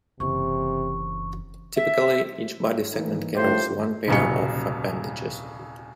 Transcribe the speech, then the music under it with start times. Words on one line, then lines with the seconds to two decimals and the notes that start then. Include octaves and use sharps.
Typically, each body segment carries one pair of appendages.
0.20 F#1 C3 E3 C#6
1.76 E5
2.94 E3 A#3 D#4
3.35 A2 A3 F4 G4 C5
4.08 D#1 C2 C#3 F#3 C#7